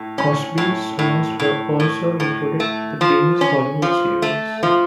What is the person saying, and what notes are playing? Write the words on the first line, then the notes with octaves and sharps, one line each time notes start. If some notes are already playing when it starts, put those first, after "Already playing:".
Crosby's songs were also included in the "Bing's Hollywood" series.
Already playing: A2
C#4
A2
A2
A2
A2
A2
A3
F3
C#4
F3
A3
F3